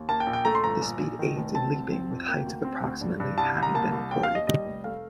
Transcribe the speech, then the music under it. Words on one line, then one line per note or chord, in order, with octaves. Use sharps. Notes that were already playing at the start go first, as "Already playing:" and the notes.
This speed aids in leaping, with heights of approximately having been recorded.
Already playing: D#2
A#3 A5
G5
A#1
G5
A3 A#5
C6
G1 A#5
A#1
A#1
D#3
F1
C4 A5
C2
C4
F2
A#3 G5
D2
C4
D2
G2
G2
C2 A5
C2
A#5
A#3 A5
C2
D#2 G5
F5
D#2
D#5
G3 D#5
F1
A3 F5